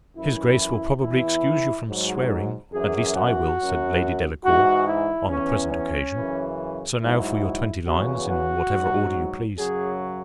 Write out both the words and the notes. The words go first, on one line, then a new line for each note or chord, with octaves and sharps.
"His Grace will probably excuse you from swearing; at least I will," said Lady Delacour, "on the present occasion: so now for your twenty lines in whatever order you please."
F#2 E3 E4
E2 E3 E4
G#2 F#3
F#2 E3 G#4
F#4
F#2 F#3
G#2 E3 F#4
E4
E2 E3 C#4
C#4
F#2 C#3 E3
G#2 F#3 E4
E2 C#3 E3 F#4
F#4
G#2 F#3
F#2 C#3 F#3 G#4